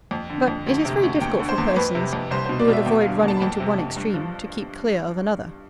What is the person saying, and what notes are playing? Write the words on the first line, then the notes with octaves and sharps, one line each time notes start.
But it is very difficult for persons, who would avoid running into one extreme, to keep clear of another.
F2
D3
F2
D2
C3
D2
E2 G5
D3
C5
E2
F2 B4
C3
F2
C2 C5
B2 C5
D5
B2
E5
E2 G5
D3 F5
E2
A5
B5
F2 A5
C3
F2
G2
F3